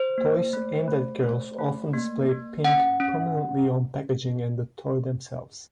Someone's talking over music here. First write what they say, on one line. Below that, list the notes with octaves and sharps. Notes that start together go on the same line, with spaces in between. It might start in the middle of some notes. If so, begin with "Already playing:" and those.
Toys aimed at girls often display pink prominently on packaging and the toy themselves.
Already playing: C5
A#3
A3
A3
A3
A3
A#3
A#3
C#4 F#5
C#4